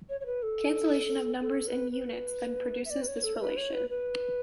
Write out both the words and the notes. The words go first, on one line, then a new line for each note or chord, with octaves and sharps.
Cancellation of numbers and units then produces this relation.
C#5
C#5
B4
A4
A4
B4
B4
E5
D5
B4
C#5
A4
C#5
B4
C#5
B4
B4